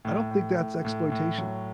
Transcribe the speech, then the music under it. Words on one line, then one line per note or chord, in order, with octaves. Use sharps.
I don't think that's exploitation.
A2
A2
A2
A2
A2
F#3